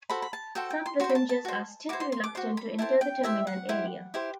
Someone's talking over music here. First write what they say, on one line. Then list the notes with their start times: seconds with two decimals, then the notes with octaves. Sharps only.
Some passengers are still reluctant to enter the terminal area.
0.10 F#4 A4 C5 B5
0.22 B5
0.33 A5
0.55 F#4 A4 C5 G5
0.70 G5
0.86 C6
1.00 F#4 C5 C6
1.09 B5
1.15 A5
1.29 A5
1.45 F#4 C5
1.89 F#4 C5 D6
2.00 C6
2.12 C6
2.24 D6
2.35 F#4 C5 C6
2.57 B5
2.79 E4 G4 C5 A5
3.01 G5
3.23 E4 G4 C5 E5
3.47 F#5
3.69 E4 G4 C5
4.14 E4 G4 C5